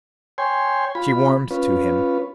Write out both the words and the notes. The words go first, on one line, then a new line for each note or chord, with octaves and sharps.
She warmed to him.
C#5 G5 G#5 C6
F4 B5
C#4 F4 B4